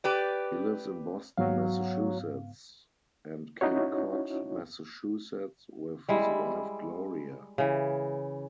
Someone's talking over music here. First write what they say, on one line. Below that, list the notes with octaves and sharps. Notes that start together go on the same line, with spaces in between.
He lives in Boston, Massachusetts and Cape Cod, Massachusetts with his wife Gloria.
G4 B4 D5
G#2 F#3 B3 F5
C#4 D#4 E4 F#4 C#5
G3 G#3 E4
C#3 E3